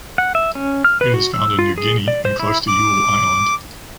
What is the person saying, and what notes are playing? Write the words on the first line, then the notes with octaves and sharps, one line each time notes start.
It is found in New Guinea and close to Yule Island.
F#5
E5
C#4
F6
B4
F#4
E6
F4
G#4
D5
C5
E4
D6